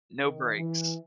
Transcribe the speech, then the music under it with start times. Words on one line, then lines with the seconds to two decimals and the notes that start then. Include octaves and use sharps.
No breaks.
0.24 D#3
0.56 E3